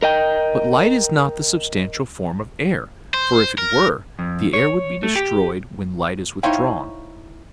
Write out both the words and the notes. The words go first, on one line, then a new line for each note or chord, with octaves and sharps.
But light is not the substantial form of air, for if it were, the air would be destroyed when light is withdrawn.
A#4 D#5 G5
C5
A#4
F2
C#5
A3
G4
D#4 E4 C5 C#5 F5 G5